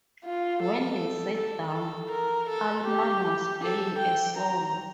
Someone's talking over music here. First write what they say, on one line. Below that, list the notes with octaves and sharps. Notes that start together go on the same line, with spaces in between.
When they sat down, Allman was playing a solo.
F4
A4
A4
A4
A#4
A4
G4
A4
G5
A#5